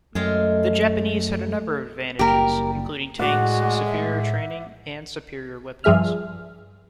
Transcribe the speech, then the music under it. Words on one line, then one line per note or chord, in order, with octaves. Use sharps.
The Japanese had a number of advantages, including tanks, superior training, and superior weapons.
F#2 G#3 A3 F4 G#4
F#1 G3 A#3 G4 A#4
A2 G#3 F#4 D5 F#5
E5
G2 F3 G#4 E5 F6